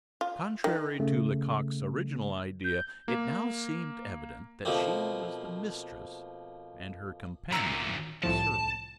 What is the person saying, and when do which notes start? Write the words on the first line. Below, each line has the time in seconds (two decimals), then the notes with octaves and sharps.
Contrary to Lecoq's original idea, it now seemed evident that she was the mistress, and her companion the servant.
0.21 F4
0.64 D#3
1.00 C#3 A3
2.64 G6
3.08 A#3
4.65 B2 F3 A3 A#3 C4
7.52 D2 A#2 A#5 E6 A#6
8.23 C2 A2 F3 A5